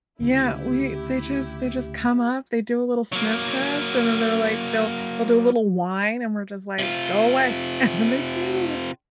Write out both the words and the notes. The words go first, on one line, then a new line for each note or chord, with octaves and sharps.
Yeah, we they just they just come up, they do a little sniff test, and then they're like they'll they'll do a little whine and we're just like, "Go away," and then they do,
D2 C#3 E4 G4
F#3 A#3
C3 F4